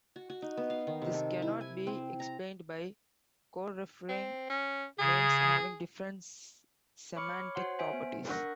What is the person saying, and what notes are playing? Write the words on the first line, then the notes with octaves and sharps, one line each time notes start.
This cannot be explained by coreferring names having different semantic properties.
F#4
F#4
D#4
B3
F5
D#3
C3
A4
E4
G#5
C4
A#5
C4
C#4
C#3 G#4
C#5 B5 C#6 D6 F6 C#7
C#5
F#4 C5 C#5 F#5 C6
C5 E5 G#5 B6 D7
B3
D4 A#4 F#5 C#6 F#6 A#6